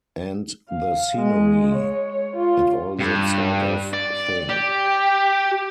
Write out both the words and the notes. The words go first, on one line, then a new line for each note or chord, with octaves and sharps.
And the scenery, and all that sort of thing.
F5
G#3
C#5
F4
G2
D5
G4